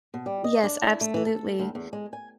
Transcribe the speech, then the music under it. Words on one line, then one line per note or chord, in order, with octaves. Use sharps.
yes, absolutely.
B2
G3
D#5
D4
E4
A3
E3
A4
D2
E2
G#3
G#5